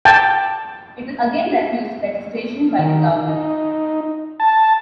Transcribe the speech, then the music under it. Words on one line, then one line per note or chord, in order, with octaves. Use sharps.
It was again refused registration by the government.
G5 A5
D#3
D#4
A5